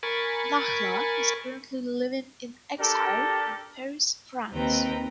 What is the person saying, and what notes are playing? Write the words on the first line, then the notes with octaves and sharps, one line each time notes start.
Nahla is currently living in exile in Paris, France.
A#4 G#5 B5 C#6 A6
D4 G4 A4 A#4
D#2 D#3 C4 B4 G5 A#5